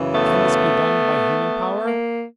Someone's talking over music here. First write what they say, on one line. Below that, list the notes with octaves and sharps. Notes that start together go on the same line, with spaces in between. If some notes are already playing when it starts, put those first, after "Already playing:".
Can this be done by human power?
Already playing: F#2 C#3 E3
A3 B3
A#3